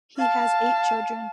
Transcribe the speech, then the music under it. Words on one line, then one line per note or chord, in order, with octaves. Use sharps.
He has eight children.
F5 A5